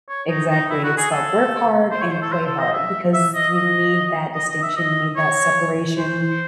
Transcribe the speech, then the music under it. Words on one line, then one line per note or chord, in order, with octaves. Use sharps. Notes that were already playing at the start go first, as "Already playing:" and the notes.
Exactly, it's called "work hard and play hard," because you need that distinction, you need that separation.
C#5
D#4
D#4
E4
F#4
G#4
A4
C5
C#5
C5
A4
C5
A4
D#5
E5
E5
D#5
D#5
D#5
D#5
E5
D#5
C#5
C5